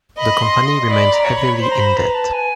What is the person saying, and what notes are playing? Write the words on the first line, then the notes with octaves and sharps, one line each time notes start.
The company remains heavily in debt.
D#5 B5
C6
C6
D5 B5
A#5
C#5
B5
B5
C5 C6
A#5
B5
B4 A#5
A5
G#5